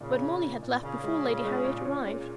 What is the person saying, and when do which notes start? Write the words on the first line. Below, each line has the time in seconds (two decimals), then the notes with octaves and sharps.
But Molly had left before Lady Harriet arrived.
0.01 A#2 C#3
0.22 A#2
0.42 A#2
0.62 A#2
0.83 A#2 C#3
1.04 G#3
1.24 A#2
1.45 G#3
1.65 A#2
1.85 C#4
2.07 C#4